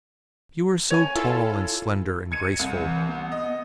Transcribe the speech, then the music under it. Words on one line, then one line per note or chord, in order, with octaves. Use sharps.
You are so tall and slender and graceful.
C#5 G#5
E4 F4 A4
G#6 C#7 D#7
C2
E3
B3
D#5